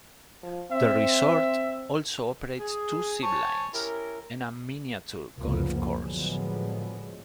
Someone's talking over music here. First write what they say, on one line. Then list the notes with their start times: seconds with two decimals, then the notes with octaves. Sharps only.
The resort also operates two zip lines and a miniature golf course.
0.43 F3
0.72 C4 E5
2.59 G#4
3.22 C5 C#5 G#5 A5
3.74 C#4 E4 G4 A#4
5.40 F1 C#2 F#2 F3 A#3 B3
5.95 A2 D3 F3 F#3 G#3 B3